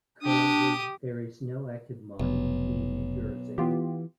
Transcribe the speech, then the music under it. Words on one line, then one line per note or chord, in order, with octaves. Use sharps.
Currently, there is no active mining in New Jersey.
D4 G4 D#6
F1 B1
E3 B3 F4 G4